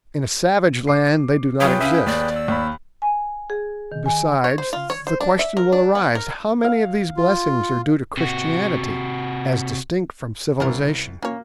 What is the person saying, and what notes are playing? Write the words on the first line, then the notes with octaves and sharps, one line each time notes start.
In a savage land they do not exist. Besides, the question will arise: How many of these blessings are due to Christianity as distinct from civilization?
D6 C7
F#3 F4 G4 G#4 B4 C#5 G5
C#4 E5 F5
D#2 D5
E6
D#2 B5
G#5
G#4
D#3
G#5
C#5
C5
F4
C#5
C5
D4
E5
A#4
D4
B3
A#4
F5
F4
C3 F#4
C2 C#4 E4 A#4
A#3 C#4 C#5